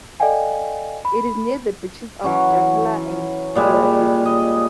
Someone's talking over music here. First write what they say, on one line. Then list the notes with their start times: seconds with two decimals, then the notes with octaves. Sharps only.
It is near the beaches of Chacala and Guayabitos.
0.20 A4 D5 D#5 F5 G5 G#5
1.05 B5
2.24 E3 F#3 C#4
3.55 A#2 G3 G#3
4.25 D#5